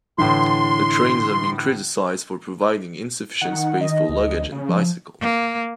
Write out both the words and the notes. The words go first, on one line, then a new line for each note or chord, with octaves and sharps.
The trains have been criticised for providing insufficient space for luggage and bicycles.
A2 D3 E3 C6
D#3 F#5
D#5
D2
C#3
F3
A#3